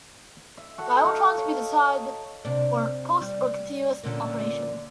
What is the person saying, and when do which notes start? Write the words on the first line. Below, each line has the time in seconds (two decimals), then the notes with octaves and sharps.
Gyrotrons can be designed for pulsed or continuous operation.
0.57 E5
0.78 F#4 A4 F#5
1.05 D#4 F5
1.38 C#5
2.45 C3 D4
3.21 G3
4.04 A#2 D3 C#4